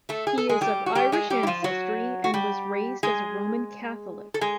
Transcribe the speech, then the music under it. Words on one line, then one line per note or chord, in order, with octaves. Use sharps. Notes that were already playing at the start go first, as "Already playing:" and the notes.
He is of Irish ancestry and was raised as a Roman Catholic.
A3 A4
G#4
A4
G#3 G#4
G3 G4
F#4
G3 G4
G#3 G#4
G3 G4
E4
F3 F4
F#3 F#4
F#4
G3 G4
G#3 G#4
A4
G#3 G#4